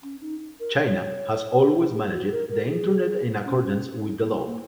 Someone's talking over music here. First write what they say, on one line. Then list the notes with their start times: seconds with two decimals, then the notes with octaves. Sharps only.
China has always managed the Internet in accordance with the law.
0.03 C#4
0.21 D#4
0.60 A#4
0.78 C#5
1.93 G#4
2.12 F#4
2.31 A#4
2.50 A#4
2.70 G#4
3.45 C#4
4.22 A#3
4.47 A#3